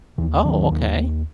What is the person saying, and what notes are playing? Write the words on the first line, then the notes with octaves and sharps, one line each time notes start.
Oh, okay.
D#2 E3
D#3 F#3
D#2